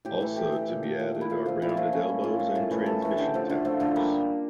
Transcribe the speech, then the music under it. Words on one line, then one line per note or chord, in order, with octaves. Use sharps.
Also to be added are rounded elbows and transmission towers.
A2 G4
E3 A3
A2 G4
E3 A3
A#2
A3
A#2
A3
E4
A#2 F4
F3 A3 F4
A#2 E4
F4
F3 A3 E4
A#2 C#4
A3
A#2 F4
A3
A2 F4
E3 A3
A2 A4
E3 A3
D3 G4
F3 A3
D3 F4
F3 A3
D3 A3
G3 A#3